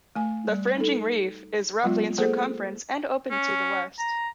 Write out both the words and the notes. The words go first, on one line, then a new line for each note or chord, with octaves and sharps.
The fringing reef is roughly in circumference and open to the west.
A3 G#5
G3
D#4 A4
F#3 G#3 B3 F4
A#3 G#4 A4 C5
C#4
A#5